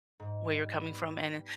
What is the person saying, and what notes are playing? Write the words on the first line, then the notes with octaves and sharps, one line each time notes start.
where you're coming from, and, eh,
G#2
G3
B3
G3